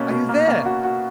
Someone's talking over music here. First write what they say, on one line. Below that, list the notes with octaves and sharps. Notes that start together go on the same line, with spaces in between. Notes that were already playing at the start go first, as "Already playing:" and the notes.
Are you there?
Already playing: B2 A#3 C#4
B2
A#3
A#3
F#4
F#4